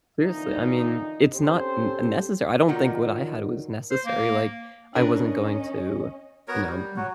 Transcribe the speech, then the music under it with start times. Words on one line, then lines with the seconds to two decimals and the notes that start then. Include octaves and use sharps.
seriously, I mean, it's not n necessary, I don't think what I had was necessary, like, I wasn't going to, you know, b
0.21 F2 A#2 D3 E3 D#4
1.34 C4 C#4 G4 A4 C5
2.68 A#2 D#3 F#3
3.91 C5
4.05 A#3
4.95 C#4 D4 A#4 B4 D#5
6.48 B3 F#4 A#4 C#5
6.66 G3
6.96 F#3 F#4